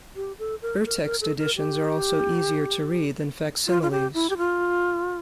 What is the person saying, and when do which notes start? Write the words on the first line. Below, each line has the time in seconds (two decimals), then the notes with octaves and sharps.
Urtext editions are also easier to read than facsimiles.
0.16 G4
0.39 A4
0.62 A#4
0.80 A4
0.86 A#4
1.04 A#4
1.21 A4
1.38 A#4
1.57 G4
3.67 F4
3.82 F4
3.91 G4
4.14 E4
4.30 G4
4.38 F4